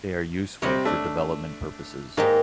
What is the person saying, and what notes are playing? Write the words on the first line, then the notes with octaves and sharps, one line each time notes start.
They are useful for development purposes.
C3 G3 C4 C#5 D#5
A3 D4
G#2 A#3 D#4 G4